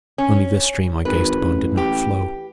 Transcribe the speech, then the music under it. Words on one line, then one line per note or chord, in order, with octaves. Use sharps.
Only this stream I gazed upon did not flow.
C#4
G#1 B4
A1
G4